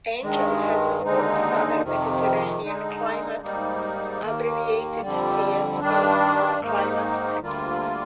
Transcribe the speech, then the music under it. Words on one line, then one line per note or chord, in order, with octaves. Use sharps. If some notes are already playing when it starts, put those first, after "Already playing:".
Angel has a warm-summer Mediterranean climate, abbreviated "Csb" on climate maps.
G2 D#3 G#3
D#2 D3 G#3 D#4
F2 C3 D#3
D3 G#3 D#4
G#2 G3 A#3 D#4
D#2 D#3 A#3
F2 D3 G3
G2 D#3 G3 D4
G#2 D#3 A#3 D#4
D2 D3 G3 A#3 F4